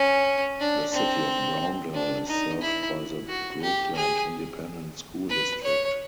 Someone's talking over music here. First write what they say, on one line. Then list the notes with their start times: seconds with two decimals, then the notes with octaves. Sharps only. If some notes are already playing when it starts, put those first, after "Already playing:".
The City of Browndell is served by the Brookeland Independent School District.
Already playing: C#4
0.60 D4
0.94 C4
1.94 D4
2.27 D#4
2.62 E4
3.28 F#4
3.62 G4
3.95 G#4
5.29 B4
5.63 C#5